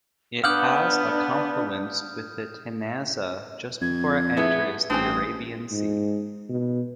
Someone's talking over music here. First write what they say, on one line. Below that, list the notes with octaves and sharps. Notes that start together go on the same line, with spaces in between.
It has a confluence with the Tanasa just before it enters the Arabian Sea.
B3 D4 F5 F#5 D6 D#6 F6 G6
F2 G#6
A3 B3 E4 G#4
A1 C4 D4 F#4 G#5 D#6
G#2
B2